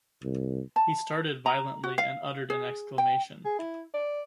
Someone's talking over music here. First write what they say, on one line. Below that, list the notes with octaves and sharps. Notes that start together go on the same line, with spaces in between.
He started violently and uttered an exclamation.
C2
A5
A#5
F#4
F5
G#4
G5
G#4
E4
D5